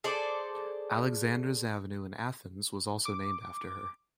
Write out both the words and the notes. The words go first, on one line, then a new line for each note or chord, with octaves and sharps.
Alexandras Avenue in Athens was also named after her.
G#4 A4 C5 D5
D6